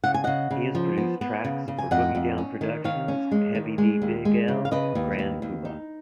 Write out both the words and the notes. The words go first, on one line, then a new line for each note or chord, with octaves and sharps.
He has produced tracks for Boogie Down Productions, Heavy D, Big L, Grand Puba.
C#3 F#5
G#5
C#3 D#5 F#5
C#3
F3
B3
B3
C#3
C#3
G#5
F2 D#5 F#5
F2
C#4
D#3
D#3 C#5 F5
C#4
G#3
D#3
G#3
D#2
G#3
C#3
F5
C#3 B4 D#5
D#2
D#2
D#2
D#4